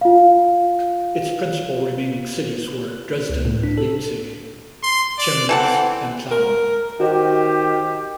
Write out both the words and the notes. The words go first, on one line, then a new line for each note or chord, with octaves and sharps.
Its principal remaining cities were Dresden, Leipzig, Chemnitz, and Plauen.
F4 F5
C#2
A2
D4
A4
C6
D5
E3 C4 A4 F#5
A#4
D#3 F#4 G4 C5 D#5